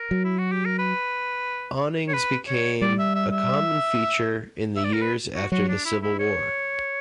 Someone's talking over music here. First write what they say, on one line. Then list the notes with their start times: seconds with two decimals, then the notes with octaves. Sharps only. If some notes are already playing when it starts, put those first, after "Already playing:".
Awnings became a common feature in the years after the Civil War.
Already playing: A#4
0.11 F#3
0.25 E4
0.38 F#4
0.52 G4
0.66 A#4
0.79 B4
2.09 C#5
2.14 B4
2.48 C#5
2.82 G3 D5
2.99 E5
3.15 E5
3.32 E5
4.76 E5
4.85 D5
4.93 A#4
5.01 B4
5.35 F#4
5.52 F#3 F#4
5.69 D4
5.85 E4
6.03 E4
6.19 C#5